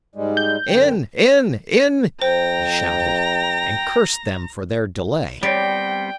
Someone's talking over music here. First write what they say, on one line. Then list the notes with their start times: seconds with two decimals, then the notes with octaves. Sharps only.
"In, in, in!" he shouted, and cursed them for their delay.
0.15 G#2 G3 G#3
0.37 G6
0.69 F#2 D3 G5
2.22 F2 C5 G5 A#5
5.43 G3 B3 C4 D5 G5